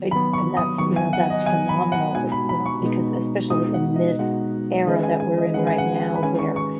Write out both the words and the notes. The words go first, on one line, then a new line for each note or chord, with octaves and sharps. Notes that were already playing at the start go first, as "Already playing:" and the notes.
Eh and that's you know, that's phenomenal, eh, you know, because especially in this era that we're in right now, where
Already playing: D#3 F#3 B3
D#3 F#3 B3 B5
C#6
D#6
D#3 F#3 B3 C#6
G#5
F#5
D#5
D#3 F#3 B3 G#5
B5
F#5
B2 G#3 B3 D#4 F#4 G#5
B5
B5
C#6
B2 G#3 B3 D#4 F#4
B2 G#3 B3 D#4 F#4 D#6
F#5
D#5
B2 G#3 B3 D#4 F#4 F#5
D#3 G#3 C#4 G#4 B4 D#5
G#5
G#5
D#5
D#3 G#3 C#4 G#4 B4 F#5
G#5
F#5
B5
D#3 G#3 C#4 G#4 B4 G#5
C#6
C#6